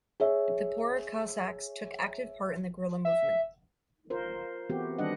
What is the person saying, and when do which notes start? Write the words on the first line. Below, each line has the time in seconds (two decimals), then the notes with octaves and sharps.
The poorer Cossacks took active part in the guerrilla movement.
0.20 G#4 C#5 E5
3.05 E5
4.10 F4 A#4 C5
4.70 E3 A3 B3 C4 F#4 G4
4.98 D#3 G3 D4 D#5 F#5